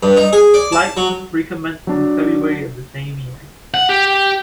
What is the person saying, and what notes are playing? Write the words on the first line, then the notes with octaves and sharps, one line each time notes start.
Flights re-commenced in February of the same year.
G2
D#4
G#4
D5
A5
F#3
F#3 D4
F#5
G4